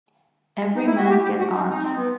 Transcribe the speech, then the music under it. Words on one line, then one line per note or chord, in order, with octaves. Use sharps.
Every man get arms.
D#4
E4
F#4
G4
G4
F#4
D#4
D#4
C4
B3